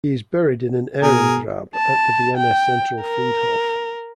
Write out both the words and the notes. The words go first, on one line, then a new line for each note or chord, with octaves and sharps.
He is buried in an Ehrengrab at the Vienna Zentralfriedhof.
B2 G#4 A#4
A5
G5
A#4